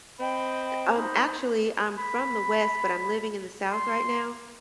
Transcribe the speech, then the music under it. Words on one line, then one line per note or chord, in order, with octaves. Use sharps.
Um, actually, I'm from the West, but I'm living in the South right now,
C4 D#5 G5 B5
D#4 C5 B5
B5
C6